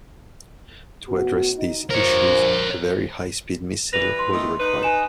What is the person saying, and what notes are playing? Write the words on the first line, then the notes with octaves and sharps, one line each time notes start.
To address these issues, a very high speed missile was required.
A2 B3 F#4
D#4
G2 F4 A#4 C5 C#5
E3 G3 B4 A#6 F7
C6
D#3 A3
D#4 B4
G#5 E7